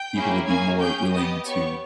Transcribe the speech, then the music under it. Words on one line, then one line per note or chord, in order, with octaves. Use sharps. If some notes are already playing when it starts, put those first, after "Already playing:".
people would be more willing to,
Already playing: G5 G6
A#3 C#4 E4 G#4
A#3 C#4 G#4 G#5 G#6
C#4 G#4 G5 G6
B3 G4 D#5 D#6
B3 G4 C#5 C#6